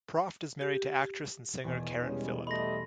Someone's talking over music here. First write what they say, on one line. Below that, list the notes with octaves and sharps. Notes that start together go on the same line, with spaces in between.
Proft is married to actress and singer Karen Philipp.
G4
E2 B2 G#5
G3 G#3 C#4
G3 A3 D#5 B5 C6 A#6